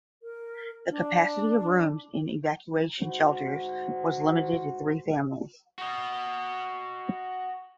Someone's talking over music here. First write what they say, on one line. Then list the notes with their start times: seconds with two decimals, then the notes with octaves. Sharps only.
The capacity of rooms in evacuation shelters was limited to three families.
0.23 A#4
0.90 D4
3.00 G#2 F#4 C5
5.78 F#4 D#5